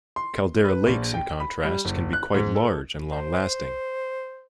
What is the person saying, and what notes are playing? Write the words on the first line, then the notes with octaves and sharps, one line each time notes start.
Caldera lakes in contrast can be quite large and long-lasting.
C6
B4
A#1
G5
B5
G3
F#1
F#6
G#2
A4
C5